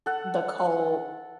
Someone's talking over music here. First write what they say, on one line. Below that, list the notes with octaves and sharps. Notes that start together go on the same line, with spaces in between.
The cold.
A4 F#5